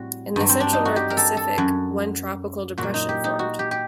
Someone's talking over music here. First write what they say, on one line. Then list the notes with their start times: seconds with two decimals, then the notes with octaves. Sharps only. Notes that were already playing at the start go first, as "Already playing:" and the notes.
In the central north Pacific, one tropical depression formed.
Already playing: A2 G3 C4 F#4
0.36 G2 F#3
0.49 C4
0.60 D4
0.73 D#4
0.85 F#4
0.96 G4
1.10 A#4
1.17 A4
1.37 A4
1.58 F#2 F#3
2.78 A#2 F#3 F#4
2.94 D#4
3.09 G4
3.24 D#4
3.39 F#4
3.59 G4
3.71 G4